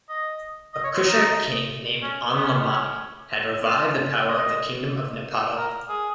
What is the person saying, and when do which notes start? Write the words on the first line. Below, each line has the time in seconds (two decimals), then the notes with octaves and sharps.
A Kushite king named Anlamani had revived the power of the kingdom of Napata.
0.09 D#5
0.74 D#5
0.84 C#5
0.95 F4
1.06 D#4
2.02 C#4
2.35 B3
2.43 C#4
2.52 B3
2.67 C#4
3.63 F4
4.29 D#5
5.57 A#4
5.89 G#4